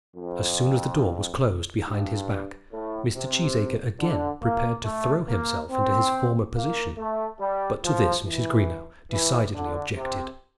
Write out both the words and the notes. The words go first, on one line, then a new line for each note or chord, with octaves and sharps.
As soon as the door was closed behind his back, Mr. Cheesacre again prepared to throw himself into his former position, but to this Mrs. Greenow decidedly objected.
F2
G2
A2
C3
D3
A#3
A3
A#3
C4
A#3
A3
G3
F3
E3
E3
D3
C3